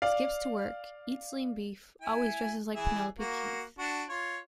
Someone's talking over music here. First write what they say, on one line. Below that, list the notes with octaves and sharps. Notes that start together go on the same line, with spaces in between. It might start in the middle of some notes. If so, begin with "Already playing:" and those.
Skips to work, eats lean beef, always dresses like Penelope Keith.
D5 F5
E4 G#5
E3 G#4 E5
A#3 F#4
D4 F#4
F4 C#5